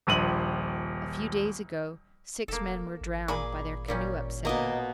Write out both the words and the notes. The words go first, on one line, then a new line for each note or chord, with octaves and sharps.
A few days ago six men were drowned by their canoe upsetting.
D#1 A#1 D#7 F#7
E1 A#3 A4
G#1
A#2 G#4 B5 D6
A#2 G3 C#4
B2 A#3 A#4 D#5